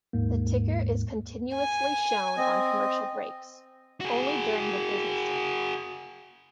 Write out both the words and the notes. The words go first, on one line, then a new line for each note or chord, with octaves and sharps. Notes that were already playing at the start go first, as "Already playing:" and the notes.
The ticker is continuously shown on commercial breaks, only during the business day.
D#2 G#2 A#3
G#5
C4 D#5
F#4 G#4